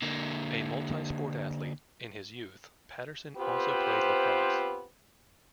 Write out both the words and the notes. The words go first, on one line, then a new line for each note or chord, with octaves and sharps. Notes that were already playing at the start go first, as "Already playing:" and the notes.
A multi-sport athlete in his youth, Patterson also played lacrosse.
D3 A#3
B3 C4 F4 G4 B4 C5